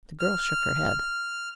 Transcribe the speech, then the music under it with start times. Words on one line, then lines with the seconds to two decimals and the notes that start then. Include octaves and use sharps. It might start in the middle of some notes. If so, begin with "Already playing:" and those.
The girl shook her head.
0.20 F6